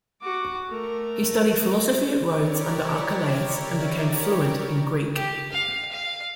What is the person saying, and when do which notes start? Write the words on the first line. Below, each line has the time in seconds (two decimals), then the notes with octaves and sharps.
He studied philosophy at Rhodes under Archelaus and became fluent in Greek.
0.21 F#4 D6
0.70 A3 A#4
2.20 E4 G4 A#4 C#5 D5
5.15 G4
5.52 F5
5.91 F5